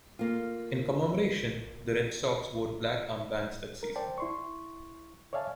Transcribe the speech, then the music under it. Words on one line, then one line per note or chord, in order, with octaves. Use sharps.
In commemoration, the Red Sox wore black armbands that season.
A#3 F4
A#4
C5 D5 G5 A5
E4 C6 C#6
C#5 D5 E5 F5 G#5 A5